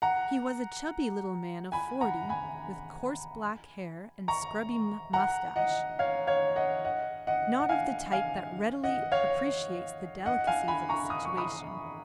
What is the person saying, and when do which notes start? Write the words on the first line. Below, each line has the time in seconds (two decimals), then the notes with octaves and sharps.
He was a chubby little man of forty, with coarse black hair and scrubby moustache, not of the type that readily appreciates the delicacies of a situation.
0.02 F#5 A#5
1.72 G#5 B5
2.01 F#5 A#5
2.29 G#5 B5
4.28 A#5 C#6
5.13 F#5 A#5
5.56 D#5 F#5
5.99 C#5 F5
6.27 C#5 F5
6.56 D#5 F#5
6.85 D#5 F#5
7.27 D#5 F#5
7.60 F#5
7.69 F5 G#5
8.12 F5 G#5
8.84 D#5 F#5
9.12 C#5 F5
10.26 D#5 F#5
10.47 F5 G#5
10.68 G#5 B5
10.89 A#5 C#6
11.10 D#6
11.25 C#6
11.37 B5 D#6